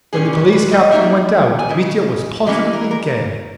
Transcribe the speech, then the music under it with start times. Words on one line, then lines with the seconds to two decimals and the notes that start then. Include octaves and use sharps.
When the police captain went out, Mitya was positively gay.
0.13 A#2 G3 C#4 G#4
0.33 B4
0.48 C#5
0.53 B4
0.71 D#5
0.90 G3 A#3 D#4 E5
1.59 G#5
1.69 C#3 G#3
2.46 E3 G3 A#3 C#4 E4 D#5
2.73 A#4
2.91 A#4